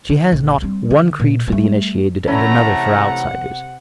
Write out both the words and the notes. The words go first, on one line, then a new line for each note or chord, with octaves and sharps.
She has not one creed for the initiated and another for outsiders.
D#3
A#1
G3 C4
D3
A#2
G3 A3
C3 E3 A3 C#4 F#5 A#5